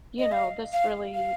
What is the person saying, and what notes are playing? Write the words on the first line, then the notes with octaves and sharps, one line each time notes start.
you know, "this really"
D#5
F5
F5
F5